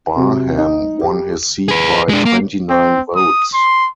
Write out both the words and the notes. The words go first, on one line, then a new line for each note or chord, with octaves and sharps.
Barham won his seat by twenty-nine votes.
C3 F#3
D#4
G4
G#4 B4
G#3 D4
A#3
C4
D#6
C6